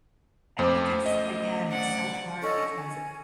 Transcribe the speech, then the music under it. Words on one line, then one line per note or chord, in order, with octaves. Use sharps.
I think it's again, it's so hard because
F2 C#3 A3 C5 D6
D#5
D5 F#5
C#4 A4 D#5 C#6
G#5